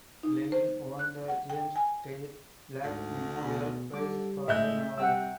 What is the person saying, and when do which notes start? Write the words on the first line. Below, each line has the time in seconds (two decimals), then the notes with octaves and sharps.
Laing won the James Tait Black Memorial Prize for the novel.
0.23 D#4
0.52 C5
0.99 F#6
1.28 F#5
1.50 G5
1.76 G#5
2.83 D2 G#2
3.43 B2 G#4 B5
3.94 D3 G3 D6
4.48 A2 G#3 E5 G6
4.98 C3 G3 F#5 G5 E6